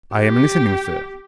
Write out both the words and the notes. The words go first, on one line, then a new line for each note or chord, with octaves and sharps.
"I am listening, sir."
G4